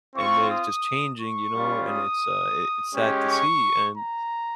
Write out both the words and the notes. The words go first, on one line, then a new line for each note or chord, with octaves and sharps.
and, uh, it's just changing, you know, and it's, uh it's sad to see, and
C4 F4 C#6
D#6
C#6
G3 C#4 F4
D#6
G#3 C#4 G4
C#6
A#5